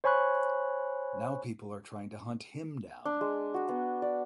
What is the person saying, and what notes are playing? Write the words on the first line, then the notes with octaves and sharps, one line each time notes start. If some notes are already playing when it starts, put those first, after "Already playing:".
Now people are trying to hunt him down.
C5 C#5 G#5 B5 C#6 F#6
D4
G#3
F#4
B3
D5